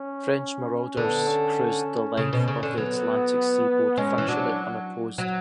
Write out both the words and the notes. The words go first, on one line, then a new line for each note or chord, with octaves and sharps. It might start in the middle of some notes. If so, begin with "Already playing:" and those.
French marauders cruised the length of the Atlantic seaboard virtually unopposed.
Already playing: C#4
D3 B3
C#4
C#3
B2
C#3
D3
F#3 B3
G#3 C#4
E3
F#3 D4
F#3